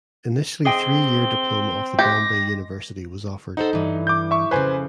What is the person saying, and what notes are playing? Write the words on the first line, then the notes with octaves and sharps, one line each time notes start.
Initially three year diploma of the Bombay University was offered.
C4 G#4 D#5 G5 G7
G#3 G4 A#6
D#4 A4 C5 F#5
G2 E3
D6 G6
E5 C#6
F2 A2 C#3 B4 C5 G#5